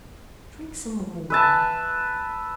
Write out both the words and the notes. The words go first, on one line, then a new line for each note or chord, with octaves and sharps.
Drink some more wine.
B4 E5 A5